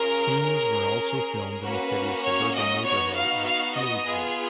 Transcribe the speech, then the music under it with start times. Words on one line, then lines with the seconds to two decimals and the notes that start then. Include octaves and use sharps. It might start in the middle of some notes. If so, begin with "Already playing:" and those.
Scenes were also filmed in the city's suburban neighbourhood of Guildwood.
Already playing: C#4 F4 G#4 A#4
0.41 C#4 G#4
1.62 A#3 C#4 F#4 B4
2.24 C#5
2.54 D#5
2.84 B3 D#4 F#4 C#5
3.15 F5
3.45 F5
3.75 D#5
4.06 B3 F4 G#4